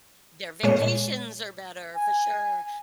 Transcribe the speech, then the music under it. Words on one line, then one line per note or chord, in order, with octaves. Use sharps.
their vacations are better for sure.
A#2 G#3 C#5
G#5